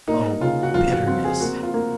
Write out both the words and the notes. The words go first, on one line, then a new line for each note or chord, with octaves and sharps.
Oh, bitterness!
A#3 D#4
C#3 F4
F#4
F2 F4
F#4
C4 F#4
G#4
A#3 F#4
F4
A#3